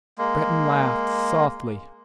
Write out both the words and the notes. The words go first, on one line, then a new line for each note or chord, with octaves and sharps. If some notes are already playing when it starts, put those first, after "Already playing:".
Breton laughed softly.
G#3 A#3